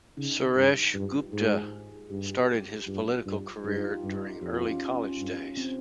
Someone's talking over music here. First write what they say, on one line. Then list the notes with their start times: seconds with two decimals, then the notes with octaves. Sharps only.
Suresh Gupta started his political career during early college days.
0.17 C#3 D#4
0.56 G2
0.94 G2 F4
1.14 G4
1.33 G#2 G#4
1.52 G#4
2.10 G2 G4
2.29 G4
2.87 G2 F4
3.26 G2
3.64 G2 D#4
3.77 F4
3.90 G4
4.03 G2
4.41 F2 G4
4.54 F4
4.67 C#4
5.18 G2
5.57 C4